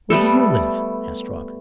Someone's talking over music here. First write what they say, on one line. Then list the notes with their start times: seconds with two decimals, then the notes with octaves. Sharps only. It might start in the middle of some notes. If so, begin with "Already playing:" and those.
"Where do you live?" asked Robin.
0.10 G3 A3 B3 A4